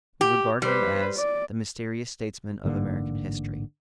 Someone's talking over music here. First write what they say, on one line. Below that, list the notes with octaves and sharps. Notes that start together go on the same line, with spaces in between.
We regard him as the MYSTERIOUS STATESMAN OF AMERICAN HISTORY.
G4
G3 B4 C5
D5
A1 G#2 D3 A#3